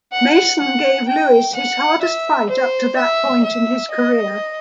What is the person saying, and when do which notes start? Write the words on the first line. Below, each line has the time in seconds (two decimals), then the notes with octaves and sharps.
Mason gave Lewis his hardest fight up to that point in his career.
0.13 F#5
0.60 F#5
1.07 G5
1.55 F#5
2.02 E5
2.49 C5
2.97 E5
3.44 E5
3.91 D#5